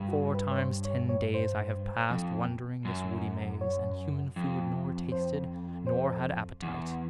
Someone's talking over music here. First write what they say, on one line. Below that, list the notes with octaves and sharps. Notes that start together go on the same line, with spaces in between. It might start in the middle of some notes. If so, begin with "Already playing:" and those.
Four times ten days I have passed Wandering this woody maze, and human food Nor tasted, nor had appetite.
Already playing: G2
F#4
B4
C#5
C5
C#5
C#5
C5
F2
F#2
C#5
F2
C5
C5
E2